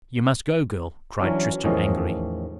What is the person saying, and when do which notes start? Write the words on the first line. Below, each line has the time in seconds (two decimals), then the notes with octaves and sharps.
"You must go, girl," cried Tristram angrily.
1.20 E3 F#3 C#4 D4
1.64 E2 A2 D#3 F3 C#4 D#5